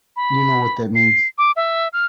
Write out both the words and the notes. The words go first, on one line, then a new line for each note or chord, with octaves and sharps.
You know what that means.
B5
C7
D6
E5
F6